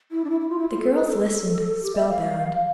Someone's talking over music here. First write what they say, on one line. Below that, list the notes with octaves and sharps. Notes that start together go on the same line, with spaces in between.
The girls listened, spellbound.
E4
D4
E4
E4
F4
E4
F4
A4
B4
A4
G4
E5
F5